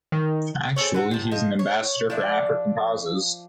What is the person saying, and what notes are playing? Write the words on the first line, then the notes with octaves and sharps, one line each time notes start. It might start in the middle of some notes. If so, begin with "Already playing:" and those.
Actually, he is an ambassador for African causes.
D#3
C4 G#4 A4 C#5
E3 F#4
C3 A5
F3 D#5
C#5
F3 D4 E5